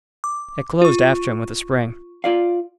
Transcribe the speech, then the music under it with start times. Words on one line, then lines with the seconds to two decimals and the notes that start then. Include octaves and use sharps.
It closed after him with a spring.
0.24 D6
0.82 F4 C#6
2.24 F4 D5 F5